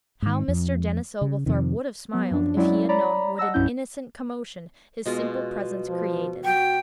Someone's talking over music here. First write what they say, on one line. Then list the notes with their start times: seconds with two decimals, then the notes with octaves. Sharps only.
How Mr. Denis Oglethorpe would have smiled if he had known what an innocent commotion his simple presence created!
0.22 G#2 D#3
0.48 F2
1.21 C#3
1.46 F2 C3 D#3
2.13 F#3 B3
2.31 F#2 F3 D4
2.56 F#3 G#3 C#4 E4 D5
2.89 C#5 D5 A#5 B5
3.38 D#5 F#5 A5 E6 A#6
3.54 C2 G2 F#3 C#4 E4 G6
5.06 B2 G#3 F4
5.88 F3
6.44 F#4 G5 C#6